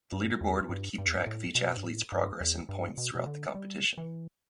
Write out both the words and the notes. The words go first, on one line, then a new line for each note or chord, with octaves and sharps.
The Leaderboard would keep track of each athletes progress in points throughout the competition.
G2
E2
G2
G2
E2
G2
A2
B2
G2
A2
G2
E2
G2
B2
B2
D3
G3
E3